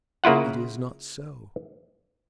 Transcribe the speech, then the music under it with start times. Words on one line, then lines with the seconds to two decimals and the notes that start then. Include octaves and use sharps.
It is not so.
0.24 C#3 A#3 E4 F4 F#5